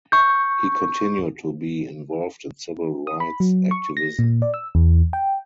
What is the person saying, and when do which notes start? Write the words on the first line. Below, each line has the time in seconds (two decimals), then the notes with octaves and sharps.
He continued to be involved in civil rights activism.
0.12 C#6 G6
3.07 D#6
3.20 B5
3.40 F#3
3.71 C#6
3.97 A#6
4.19 A#2
4.42 D5
4.54 E6
4.75 E2
5.13 G5